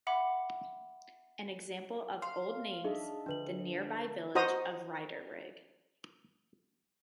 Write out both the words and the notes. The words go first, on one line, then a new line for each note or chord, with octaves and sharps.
An example of the old names, the nearby village of Riedering.
E5 F#5 B5 D6
F5 C6
D4 D#4 G#4 D#5 E5
D3 F3 D4 B4 F#7
F#4 C5 D#5 A#5 D#6